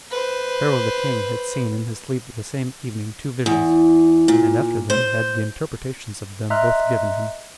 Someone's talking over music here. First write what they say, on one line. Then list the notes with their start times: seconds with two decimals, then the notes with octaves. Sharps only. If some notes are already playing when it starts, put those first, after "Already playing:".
Pharaoh the king had seen in his sleep the same evening two visions; and after them had the interpretations of them both given him.
0.11 B4 C5
3.46 E2
4.28 A#2
4.90 C5
6.50 D#5 E5 A#5 C6 F6 F#6